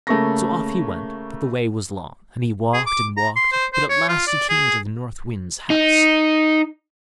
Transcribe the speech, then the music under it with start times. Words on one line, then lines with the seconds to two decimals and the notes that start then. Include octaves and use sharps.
So off he went, but the way was long, and he walked and walked; but at last he came to the North Wind's house.
0.07 C#3 A3 A#3 C#6 A#6
2.73 G#4
2.86 D6
3.17 A#5
3.36 C6
3.52 C5
3.73 C5
3.90 C#5
4.09 F4
4.27 D5
4.49 G#4
5.70 D#4